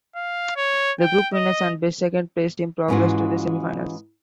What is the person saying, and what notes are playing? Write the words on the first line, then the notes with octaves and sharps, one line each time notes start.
The group winners and best second place team progressed to the semi-finals.
F5
C#5
G5
D#5
G#2 E3 G#3 C#4 F4 F#4